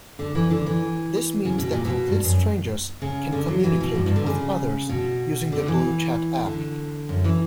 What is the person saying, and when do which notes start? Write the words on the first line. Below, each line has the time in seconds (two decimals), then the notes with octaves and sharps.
This means that complete strangers can communicate with others using the BlueChat app.
0.19 D3
0.35 E3
0.51 D3
0.66 E3
1.45 C#3
1.58 B2
1.72 A#2
1.85 B2
2.08 G2
2.24 F#2
3.02 C#3
3.32 D3
3.48 F#3
3.64 E3
3.80 B2
3.96 G2
4.06 G2
4.16 D3
4.26 C#3
4.89 B2
5.52 D3
5.68 E3
6.46 D3
7.09 F#2
7.25 E3